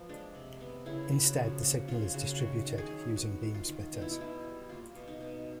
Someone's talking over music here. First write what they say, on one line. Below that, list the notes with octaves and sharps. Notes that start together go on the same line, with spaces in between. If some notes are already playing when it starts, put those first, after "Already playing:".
Instead, the signal is distributed using beam splitters.
Already playing: F3 B3
G#3 D4
C3
B3
C#3 E4
C#3
F#4
F3
A#3 F#4
C#3 F4
C#3 F#4
D#3 F#4
D#3
G#4
F#3
B3 F#4
D#3
F4
D#3
B2 F4
E4
D#4
B2 E4
G3
A#3 F4
B2
D#4
B2